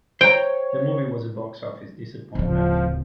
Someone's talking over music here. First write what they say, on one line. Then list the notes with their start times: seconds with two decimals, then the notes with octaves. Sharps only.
The movie was a box office disappointment.
0.21 C5 C#5 G5 A#5
2.35 D1 C#3 F3